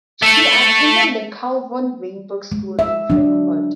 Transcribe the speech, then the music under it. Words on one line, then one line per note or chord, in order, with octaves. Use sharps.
She attended the Carl von Weinberg School in Frankfurt.
A3 A4
G#3
E5
F#3 D4